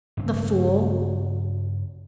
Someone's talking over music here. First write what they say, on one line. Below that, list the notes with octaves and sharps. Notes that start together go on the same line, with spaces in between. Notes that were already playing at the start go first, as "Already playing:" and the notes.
The fool!
G2 C#3 C4